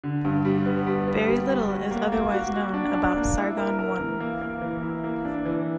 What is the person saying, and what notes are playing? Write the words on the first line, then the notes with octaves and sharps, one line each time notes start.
Very little is otherwise known about Sargon I.
D3
G2
G3
B3
G3
B3
G3
G3
F#4
A#3
A#3
F#4
F#4
D4
D4
A#3
E4
A#4
A#4
E3
A#3
A#3
E3
E4
A#3
D4
E3